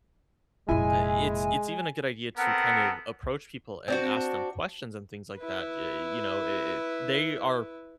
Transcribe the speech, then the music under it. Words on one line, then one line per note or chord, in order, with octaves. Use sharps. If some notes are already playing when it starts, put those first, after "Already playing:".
uh, it's it's even a good idea to kind of approach people and ask them questions and things like that, ya uh, you know, i it they are
F1 A#2 G#3 E4 G#5
B3 C4 A4 A#4 F#5
C4 D4 F#4
E4 B4